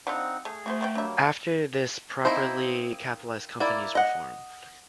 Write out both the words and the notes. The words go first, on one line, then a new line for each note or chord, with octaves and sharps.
After this properly capitalised companies were formed.
G3 C4 D4 D#4 F4 F#5
A3 G#4
A3 F#4 G4 C5
B3 C4 G5
F#3 G3 A#3 D4 E5
A#3 C4 D#4 E4 C5
A#3 E4 D5
D#5 F#5